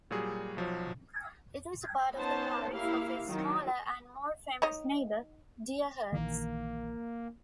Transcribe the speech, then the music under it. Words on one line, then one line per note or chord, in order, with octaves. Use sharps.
It is part of the parish of its smaller and more famous neighbour, Deerhurst.
A#2 F#3 G3 F#4 G#4
B1 F3 F#3 C#5
B3 C#4 D#4 C5 A5
A#3 E4 G4 F5
D#3 F#3
D#4 C#5 D#5
A#1 D#3 E3 A#3